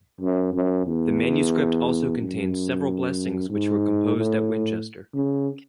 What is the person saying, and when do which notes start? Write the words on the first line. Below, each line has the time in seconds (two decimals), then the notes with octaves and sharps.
The manuscript also contains several blessings which were composed at Winchester.
0.21 F#2
0.54 F#2
0.87 E2
2.18 F#2
3.50 G#2
4.16 A2
5.14 C#3